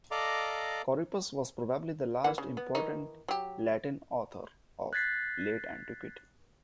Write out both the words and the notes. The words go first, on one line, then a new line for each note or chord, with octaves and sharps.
Corippus was probably the last important Latin author of Late Antiquity.
A4 D5 D#5 F5 A#5 D6
E3 A#3 F#5
C#3
B3
D#3 E3 D#4
F#3 G4
F#6 G#6 A6 B6 C7